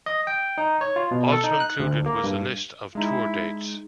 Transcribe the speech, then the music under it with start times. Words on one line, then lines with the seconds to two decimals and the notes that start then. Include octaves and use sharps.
Also included was a list of tour dates.
0.06 D#5
0.27 G5
0.58 D#4
0.81 C#5
0.96 F4
1.11 B2
1.32 A4
1.44 D#4
1.60 F#6
1.80 D2
2.06 A#3
2.24 G2
2.95 G#3 D#4 E4